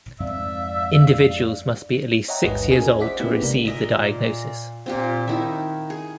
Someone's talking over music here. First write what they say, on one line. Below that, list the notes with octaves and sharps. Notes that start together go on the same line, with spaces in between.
Individuals must be at least six years old to receive the diagnosis.
F2 G#2 C4 D5 E5 F5
C#5 D#5 E5 F#5 G5 A#5
A1 D#2 G#2 B4 D#5
C#4 F#4 G#4 A#4 D#5 G#5
C5 D5 E5 F#5 D6 B6
A3 B3 C#4 E4 G4 B4
G1 C3 G#3 A#3 A#4 D5
A#2 A#4 D#5 E5
A#2 C4 F4 G4
D#3 D#4 E4 E5
G#4